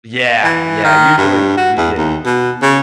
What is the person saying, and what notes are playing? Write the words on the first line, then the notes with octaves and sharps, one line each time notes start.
Yeah, yeah, usually you get
E3
D#3
G2
F#4
E2
D#2
B2
C#3